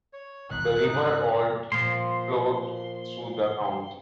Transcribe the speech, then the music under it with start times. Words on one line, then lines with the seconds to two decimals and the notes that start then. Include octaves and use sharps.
The river Olt flowed through the county.
0.13 C#5
0.51 D#1 B1 A#2 D#4 F#6
0.82 G#2 C#3 D#4
1.72 A#2 F3 C6